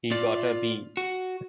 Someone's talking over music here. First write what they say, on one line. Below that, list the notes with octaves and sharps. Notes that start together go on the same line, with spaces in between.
He got a B.
F4 D5
F#4